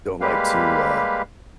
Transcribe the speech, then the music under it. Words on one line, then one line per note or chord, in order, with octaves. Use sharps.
don't like to, uh
G3 G#3 A#3 G4 B4 F5